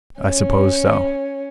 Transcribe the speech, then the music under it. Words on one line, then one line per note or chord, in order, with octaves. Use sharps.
"I supposed so."
C#4